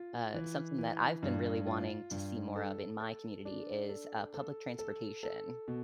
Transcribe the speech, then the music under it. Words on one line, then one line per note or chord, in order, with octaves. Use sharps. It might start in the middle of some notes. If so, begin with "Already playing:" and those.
Uh, something that I've been really wanting to see more of in my community is, uh, public transportation.
Already playing: F4
E3
E3
G2
F4
G2
A4
A4
D4
A4
A4
A4
A4
B2